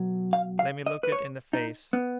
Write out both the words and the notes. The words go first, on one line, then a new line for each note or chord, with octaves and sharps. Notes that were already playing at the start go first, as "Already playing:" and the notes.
Let me look it in the face!
Already playing: B2 F#3
F5
F5
D#5
B4
C#5
D#4
B3